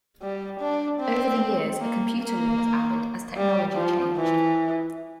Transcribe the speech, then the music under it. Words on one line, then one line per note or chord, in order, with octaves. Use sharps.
Over the years, a computer room was added as technology changed.
G3
D4
C4
A#3
A#3
G3
F3
E3